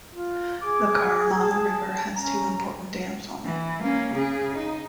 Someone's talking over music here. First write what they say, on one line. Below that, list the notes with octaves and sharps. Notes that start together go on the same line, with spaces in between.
The Karamana river has two important dams on it.
F4
G#4 D6
A5
C#4 A#5
E3
A#3 C#4
C#3 G#4
D#4